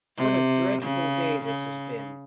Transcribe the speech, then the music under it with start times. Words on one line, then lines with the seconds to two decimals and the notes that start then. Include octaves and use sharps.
What a dreadful day this has been!
0.18 C3
0.82 C#3
1.45 C#3